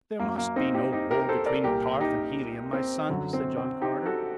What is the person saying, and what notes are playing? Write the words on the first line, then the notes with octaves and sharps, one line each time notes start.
"There must be no war between Ptarth and Helium, my son," said John Carter.
F#2 F#3 A#3
A#3
C4 D#4
D#4 G4
D#4 G4
G4 A#4
A#4
A4 C5
A#4 D5
C2 A#2 G3 G4 A#4
D#4 G4
C4
F#2 D3 F#3
C4
C4
D#4 G4
F#4 A4